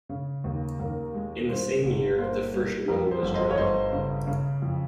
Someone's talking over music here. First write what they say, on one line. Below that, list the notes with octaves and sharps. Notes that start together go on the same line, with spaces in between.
In the same year, the first well was drilled.
C#3
D#2
D#2 A#4
G#3
G2 C5
G1
A#3 C5
G3
F2 A#4
C5
G1
C5 D#5
C#5
G1 C5 D#5
C#3
C#3
F2